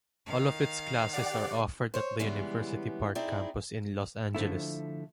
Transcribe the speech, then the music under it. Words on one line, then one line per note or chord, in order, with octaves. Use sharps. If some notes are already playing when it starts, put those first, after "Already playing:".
All of its classes are offered at the University Park campus in Los Angeles.
D#3 F5
G4 D5 F#5
C5 C#5
C#3 E3 G3 G#3 B3
C4 D#4 E4 G#4 D5
D3 F3 A3 E4